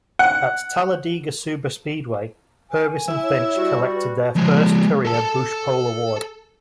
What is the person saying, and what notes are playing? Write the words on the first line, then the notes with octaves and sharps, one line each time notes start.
At Talladega Superspeedway, Purvis and Finch collected their first career Busch Pole Award.
F#5
G#5
E4
C#5
G3 F#4
G4
B4
F3 G#3
A4 A5